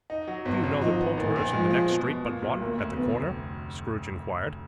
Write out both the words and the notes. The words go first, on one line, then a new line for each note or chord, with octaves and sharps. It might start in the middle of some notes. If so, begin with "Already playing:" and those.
'Do you know the poulterer's in the next street but one, at the corner?' Scrooge inquired.
D#4
F#3
G#1 B3
G#1
F3 D#4
B3
A#1 D#3
A#1
F3 G#3
G#3
B2
B2
A#2
B1
D2 A#3
D2
F1 B3
F1